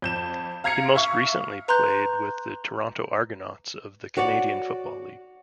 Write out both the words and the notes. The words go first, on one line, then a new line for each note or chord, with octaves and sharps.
He most recently played with the Toronto Argonauts of the Canadian Football League.
F2 G6 E7
F5 A#5 G#6 C7 C#7
E5 F5 C#6
B4 A#5 C6 F#6 G6
F#4 C#5 D5 F#5